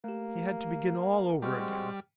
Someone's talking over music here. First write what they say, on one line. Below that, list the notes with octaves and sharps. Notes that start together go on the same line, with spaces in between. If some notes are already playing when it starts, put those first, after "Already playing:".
He had to begin all over again.
A3 A#3 G4
G3 G#3 C4 F#4 G5 F6